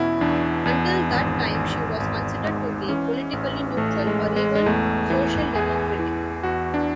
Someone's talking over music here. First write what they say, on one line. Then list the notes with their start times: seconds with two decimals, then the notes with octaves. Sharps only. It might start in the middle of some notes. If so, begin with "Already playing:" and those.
Until that time she was considered to be politically neutral or even social-democratic.
Already playing: E2 B2 C#4 E4 F#4
0.21 E2 D4
0.66 E2
1.10 G#1
1.54 G#1
2.00 G#1
2.44 G#2
2.89 E3 C#4
3.33 A1
3.77 A1 A3
4.07 G#3
4.21 A1
4.36 G#3
4.55 G#3
4.66 E2 A3
5.10 E3
5.55 E2 G#4
5.99 E3
6.43 E2 F#4
6.74 D4